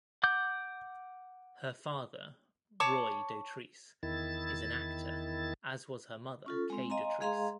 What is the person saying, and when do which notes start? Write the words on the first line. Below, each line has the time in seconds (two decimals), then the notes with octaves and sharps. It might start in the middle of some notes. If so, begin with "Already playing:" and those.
Her father Roy Dotrice is an actor, as was her mother Kay Dotrice.
0.24 F#5 D6 G6
2.80 C#5 A5 C#6 D6
4.03 E2 D#3 E4 A6
6.46 C#4 F4 A4
6.70 G#3 C4
6.90 D#5 F5 G#5 A#5 C6
7.21 G#3 G#4 D#5 F5 A#5 C6